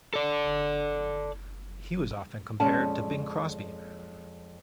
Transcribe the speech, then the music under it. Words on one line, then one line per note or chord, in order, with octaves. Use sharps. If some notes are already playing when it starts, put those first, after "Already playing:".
He was often compared to Bing Crosby.
A4 D5
F2 G#3 C#4 D5 A5